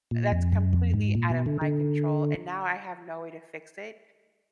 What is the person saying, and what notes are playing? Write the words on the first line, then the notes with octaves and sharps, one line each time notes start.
that's completely out of my control, and now I have no way to fix it
A#2
F2
F#2
F2
G#2
A#2
B2
D3
D3